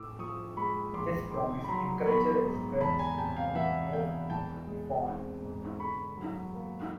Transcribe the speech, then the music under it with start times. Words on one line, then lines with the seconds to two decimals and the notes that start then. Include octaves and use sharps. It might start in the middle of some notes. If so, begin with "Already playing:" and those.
This promise encouraged his parents to move to the city of Isfahan.
Already playing: A2 D6 E6
0.19 F3 C#6 D#6
0.57 G#3 B5 C#6
0.94 A#1 C6 D6
1.31 D#3 C6 D6
1.64 B5
1.68 F#3 A#5 C6
2.06 B3 B5 C#6
2.43 G#2
2.80 E2 A5 B5
2.99 G#5 A#5
3.18 C3 G5 A5
3.36 F5 G5
3.55 E3 E5 F#5
3.93 E1 F5 G5
4.30 E3 G5 A5
4.67 G#3
5.05 C4
5.42 G#2
5.80 D3 B5 C#6
6.17 F#3
6.54 A#3